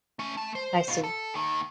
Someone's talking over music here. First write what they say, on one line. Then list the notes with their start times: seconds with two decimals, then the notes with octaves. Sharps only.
I see.
0.19 A3 C#4
0.37 A3 A5
0.55 C5
0.88 B2 F4
1.04 A4
1.34 D#2 D#3